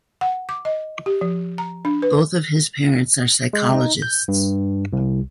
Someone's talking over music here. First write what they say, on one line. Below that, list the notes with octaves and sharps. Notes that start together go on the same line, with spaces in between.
Both of his parents are psychologists.
F#5
D6
D#5
G4
F3
A#5
D4
B4
G#3
D#4
G6
G2
C2